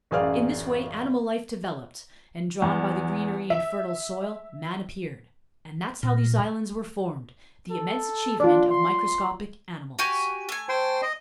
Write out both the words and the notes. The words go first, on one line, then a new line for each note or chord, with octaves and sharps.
In this way animal life developed, and drawn by the greenery and fertile soil, man appeared. And that's how these islands were formed, the immense achievement of microscopic animals.
A1 F#2 G#4 D5 F5 F6
E2
E5
A#2
A4
D4 F4 D5
C6
F#4 G4 G#5
A3 G#5
C5 G5 C6
D#5